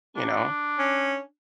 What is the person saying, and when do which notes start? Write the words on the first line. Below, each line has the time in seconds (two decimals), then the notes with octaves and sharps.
you know?
0.17 D4
0.79 C#4